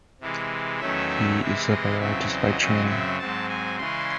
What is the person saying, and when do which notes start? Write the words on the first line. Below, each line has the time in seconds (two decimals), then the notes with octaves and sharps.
He is a biologist by training.
0.21 C3 E3 G#3
0.80 E2 D#3 F#3 A3 C#4 E5
1.41 C3 E3 G#3 C4
1.70 D#5
1.99 E2 C#3 F#3 C4 E5
2.29 D#5
2.60 F#2 C#3 F#3 C4
2.89 E5
3.19 G#2 F#3 C4 A5
3.49 G#5
3.79 C#3 E3 G#3 C#4 C6